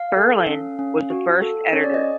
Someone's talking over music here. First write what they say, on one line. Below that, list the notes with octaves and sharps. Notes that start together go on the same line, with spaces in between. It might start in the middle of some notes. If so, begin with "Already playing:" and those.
Berlin was the first editor.
Already playing: F5
A4
C#4
C#4
F#4
A4
C#4 C#5
D5
D#5